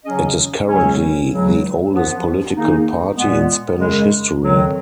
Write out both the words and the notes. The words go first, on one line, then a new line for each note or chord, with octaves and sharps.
It is the currently the oldest political party in Spanish history.
C#3 F#3 C#4 G#4 D#5
C#2 C#3 F#3 C#4
C#2 C#3 F#3
F#2 F3 B3
D#3 A#3 D#4 G#4
A#2 G#3 B3
F#2 C#3 G#3
F2 D#3 F#3